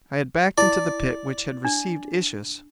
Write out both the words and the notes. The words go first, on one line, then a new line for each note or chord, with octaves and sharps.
I had backed into the pit which had received Issus.
E4 D5
D4